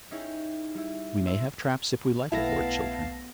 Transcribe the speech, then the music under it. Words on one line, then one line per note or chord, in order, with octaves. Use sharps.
"We may have traps if we like it, Lord Chiltern."
C#4 D#4 E4 G#4 C#5 G5
G3 E4
C5 E5
B1 A3 B3 E4 F5 A5 A#6